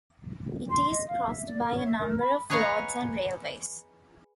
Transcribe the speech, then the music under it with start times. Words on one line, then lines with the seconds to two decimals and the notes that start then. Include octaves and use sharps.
It is crossed by a number of roads and railways.
0.70 C6
0.91 D#5
1.08 F5
1.27 E5
1.47 D5
1.62 A#4
1.74 C#5
1.85 E5
2.00 A#4
2.19 B5
2.50 G#4 B4 C#5 D#5 F5 A#5